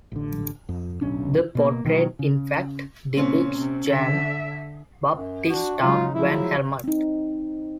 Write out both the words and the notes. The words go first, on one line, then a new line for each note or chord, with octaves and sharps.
The portrait in fact depicts Jan Baptista van Helmont.
A1 D3
F2
D1 B1 C#4 D4
B2 A#3
B2 D#3 E3 F#3
C#3
A#2 C#3 C4 C#4
C3
D3 E5
F#2
D4 F#4
C#3 F#3 G#3 D#4 F4
C#3 F3 F#3 E4 E5
C4 D#4